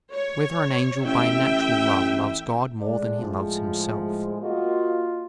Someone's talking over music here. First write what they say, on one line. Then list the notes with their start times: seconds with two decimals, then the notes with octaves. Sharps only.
Whether an angel by natural love loves God more than he loves himself?
0.14 C#5
1.05 A1 E5 G5
2.81 A2 G#3 D4
3.20 F3
4.42 A#3 F4 F#4 D#5